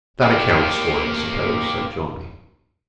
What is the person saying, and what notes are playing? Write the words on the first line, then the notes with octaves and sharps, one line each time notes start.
"That accounts for it, I suppose," said Johnny.
A#3 G4